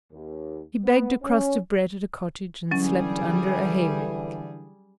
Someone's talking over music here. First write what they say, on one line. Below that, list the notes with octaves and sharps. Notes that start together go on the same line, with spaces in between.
He begged a crust of bread at a cottage and slept under a hayrick.
D#2
B3
C#4
D3 E3 F#3 G3 C#4 G#4